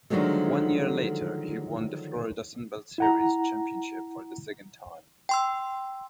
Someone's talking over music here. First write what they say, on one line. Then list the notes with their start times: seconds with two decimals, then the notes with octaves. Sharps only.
One year later, he won the Florida Sunbelt Series championship for the second time.
0.10 D3 D#3 F3 F#3 G#3 A3
2.98 E4 F#5 A#5
5.29 G5 C6 E6